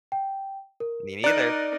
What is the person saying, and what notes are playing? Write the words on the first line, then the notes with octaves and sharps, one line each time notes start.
Me neither,
G5
A#4
D#4 A#4 D5 A#5 F#6